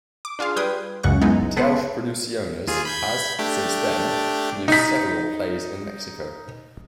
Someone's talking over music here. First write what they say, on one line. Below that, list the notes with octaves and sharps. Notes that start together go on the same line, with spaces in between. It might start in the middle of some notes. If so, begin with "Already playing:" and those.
Telch Producciones has, since then, produced several plays in Mexico.
D6
D4 F4 G#4 F5
G3 B4 G5 C6 D#6 G#6
C#2 F#2 C#3 F#5 C#6
G#3 B3 D#4 E4
B3 A4 B4 C5 F#5
D#2 F4 G#4
B5 G6 G#6
A3 D4 G4
D#4 B6